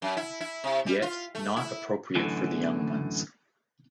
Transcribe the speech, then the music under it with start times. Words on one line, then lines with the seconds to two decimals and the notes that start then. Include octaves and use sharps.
Yet, not appropriate for the young ones.
0.02 F#2
0.17 E4
0.41 E4
0.64 C3
0.86 G3
1.02 F4
1.35 A3
1.56 E4
2.15 F#2 A2 D3 E3